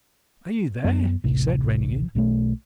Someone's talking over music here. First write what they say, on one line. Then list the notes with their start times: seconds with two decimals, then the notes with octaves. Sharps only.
"Are ye there?" he said, reining in.
0.84 F#2 B3
1.24 A1 D2 C3
2.15 B1 B2 D#3 A3